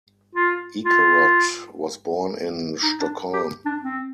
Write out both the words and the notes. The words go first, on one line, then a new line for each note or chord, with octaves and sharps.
Ekerot was born in Stockholm.
F4
F4
D#4
D4
G4
D4
C4